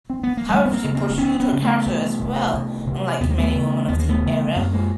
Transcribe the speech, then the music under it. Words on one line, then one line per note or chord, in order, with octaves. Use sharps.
However, she pursued her career as well, unlike many women of the era.
C4
B3
A#3
D2 G3 A3
B3
A#3 C4
C#3
A#3 C4
D2 B3 C#4
B3 C#4
C#3
A3 B3
C2
C3
C2
C3
D#2 B3
A#3
A3 B3
C#3
D#2 B3
A#3
A3 B3
C#3
F#2 A#3 C4
G#3 A#3